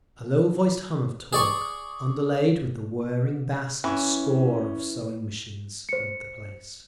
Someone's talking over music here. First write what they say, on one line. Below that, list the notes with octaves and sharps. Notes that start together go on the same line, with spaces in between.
A low-voiced hum of talk, underlaid with the whirring bass of a score of sewing machines, filled the place.
G#4 D5 C#6
E3 C#4 E4
C5 C#7